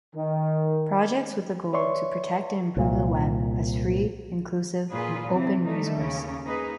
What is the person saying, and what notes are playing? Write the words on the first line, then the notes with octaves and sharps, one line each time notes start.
Projects with the goal to protect and improve the web, as free, inclusive and open resource.
D#3
B4 C#5 D5 E5 C6 C#6
C2 A#2
A#2 F4 G#4 B4
C3 E3 F3 C4
F3 G3 A3 D#4 A4
D#2 C#3 C#4
A#3 D#4 G#4 B4